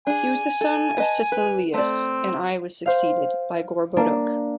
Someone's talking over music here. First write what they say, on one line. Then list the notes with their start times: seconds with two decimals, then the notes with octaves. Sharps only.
He was the son of Sisillius I and was succeeded by Gorboduc.
0.07 D4 G#4 G#5
0.61 A4
0.98 B4 D#5 A5
1.32 B4
1.74 A3 C4 A4 D5
2.86 C5 F5
3.97 A#3 D4